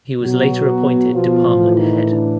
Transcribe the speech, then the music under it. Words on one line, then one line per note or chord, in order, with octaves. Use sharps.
He was later appointed department head.
B2 F#3 F#4
F3 F4
A2 E3
D#3 D#4
D3 D4